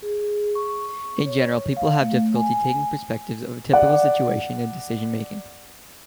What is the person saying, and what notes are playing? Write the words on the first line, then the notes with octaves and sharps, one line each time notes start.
In general, people have difficulty taking perspectives of a typical situation and decision making.
G#4
C#6
C#5
F5
A3
G#5
D5 F#5